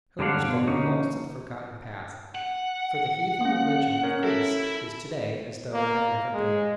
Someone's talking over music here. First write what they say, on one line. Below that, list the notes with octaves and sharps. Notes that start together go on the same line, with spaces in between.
Homer's book belongs to the forgotten past, for the heathen religion of Greece is to-day as though it had never been.
G2 D3 F#3 D4 F5 F#5
B2
D3 A#3 C#4 D#4
F#5
A#3 C#4
C#4 A#4 C#5
E4 A4 E5
A#3
G#3